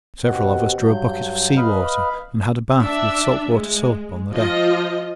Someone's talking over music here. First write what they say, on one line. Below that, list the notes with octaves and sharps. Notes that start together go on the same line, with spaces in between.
Several of us drew a bucket of sea water and had a bath with salt water soap on the deck.
D#2 B2 C4 F#5
G2 F#3 G6
B4 D#5 F5 B5 F6
D4 E5
G#3
F3 F4 D#5